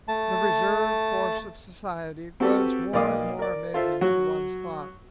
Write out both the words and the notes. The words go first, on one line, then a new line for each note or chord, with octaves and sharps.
The reserve force of society grows more and more amazing to one's thought.
A3 A5
C4 F#4 G4 A4 B4
B1 A#3 D5 F5 D6 D#6
A#4 D5
F4 A4 C5 E5
F#3 F#4